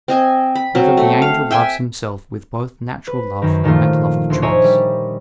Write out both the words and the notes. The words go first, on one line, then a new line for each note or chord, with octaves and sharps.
Whether the Angel Loves Himself with Both Natural Love, and Love of Choice?
C4 D#5 G#5
B5
F#3 C4
A3
F5
E5 G5 G#5
B4
F#2 D#3
A#2 D#3 F3 A3 F4
D2 C6
A#4 C5 C#5 D#5 E5 G#5
G3